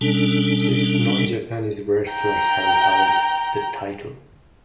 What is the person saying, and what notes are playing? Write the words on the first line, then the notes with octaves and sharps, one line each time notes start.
Six non-Japanese wrestlers have held the title.
B2 G3 C#4 D4 A4
G5 A#5